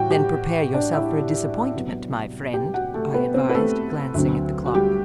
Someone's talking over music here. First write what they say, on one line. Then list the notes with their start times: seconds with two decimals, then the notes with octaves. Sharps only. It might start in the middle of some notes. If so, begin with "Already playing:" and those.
"Then prepare yourself for a disappointment, my friend," I advised, glancing at the clock.
Already playing: A2 E3 G3 F#4 G5
0.11 G4 G5
0.74 D4 D5
0.93 E4 E5
1.74 C2 C3 F#3 B3
2.54 G4 G5
2.74 F#4 F#5
2.94 A3 A4
3.14 B3 B4
3.34 C4 C5
3.49 B4
3.55 A3 A4
4.14 D2 D3 F#3 C4
4.66 F#4
4.74 G3 G4